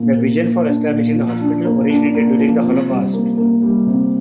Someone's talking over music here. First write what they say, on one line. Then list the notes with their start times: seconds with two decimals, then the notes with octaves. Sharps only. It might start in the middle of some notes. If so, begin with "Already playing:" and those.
The vision for establishing the hospital originated during the Holocaust.
Already playing: A#2 A#3
0.16 A#3
0.42 A#3
0.66 D4
0.91 A#2
1.16 F3
1.41 D4
1.65 A#3
1.90 D4
2.15 A#3
2.39 F3
2.63 C3
2.88 G3
3.13 A#3
3.38 A#3
3.62 G3
3.87 C3